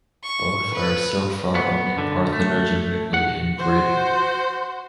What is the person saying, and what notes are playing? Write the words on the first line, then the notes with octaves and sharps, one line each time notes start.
Both are so far only parthenogenetically in breeding.
C#6
B4
B3
D3
A3
F#5
F#4 C5